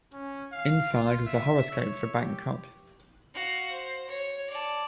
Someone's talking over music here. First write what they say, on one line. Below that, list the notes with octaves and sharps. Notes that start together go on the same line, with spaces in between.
Inside was a horoscope for Bangkok.
C#4
F5
F4
E5
C#5
G4
F#4 F5
C5
C#5
D5 A5